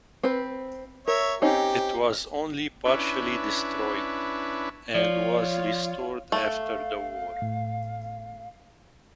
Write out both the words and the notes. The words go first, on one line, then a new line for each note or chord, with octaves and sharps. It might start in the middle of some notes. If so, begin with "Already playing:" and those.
It was only partially destroyed, and was restored after the war.
C4 B4
A#4 C#5 E5
C4 C#4 D#4 G4
C#4 D4 E4 B4
F3 F4 C#5 D5
A3 F5
A2